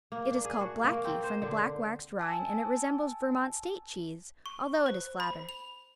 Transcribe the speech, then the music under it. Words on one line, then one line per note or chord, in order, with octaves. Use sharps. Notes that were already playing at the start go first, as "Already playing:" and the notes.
It is called Blackie from the black-waxed rind and it resembles Vermont State cheese, although it is flatter.
A#3
D4
G#4
F#4
A#3
C4
C5
D3
G#5 A5 E6
C#6
C5
B5
F7